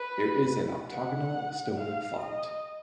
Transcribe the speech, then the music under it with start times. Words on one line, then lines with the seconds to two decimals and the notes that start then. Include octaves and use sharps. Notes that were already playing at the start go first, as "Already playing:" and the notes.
There is an octagonal stone font.
Already playing: B4
0.91 F#5
1.77 F5
2.20 D#5